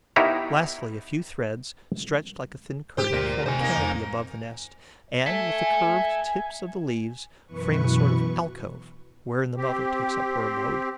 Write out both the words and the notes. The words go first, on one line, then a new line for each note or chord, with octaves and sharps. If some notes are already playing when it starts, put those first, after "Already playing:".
Lastly, a few threads, stretched like a thin curtain, form a canopy above the nest and, with the curved tips of the leaves, frame a sort of alcove wherein the mother takes up her abode.
B3 D#4 E4 G4 A#4 C#5
G#2 G4 C5
D2 A#4 D5
C3 D#3 C5 G#5
A#3 D#4 A#4
F2
E5 G#5 A5
F#2 B2 E3 B4 C#6
C4 G4